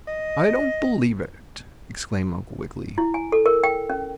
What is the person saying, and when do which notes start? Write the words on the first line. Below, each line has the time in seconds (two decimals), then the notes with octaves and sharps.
"I don't believe it!" exclaimed Uncle Wiggily.
0.07 D#5
2.98 E4
3.14 G#5
3.32 A4
3.46 A#4
3.64 G5
3.90 C#4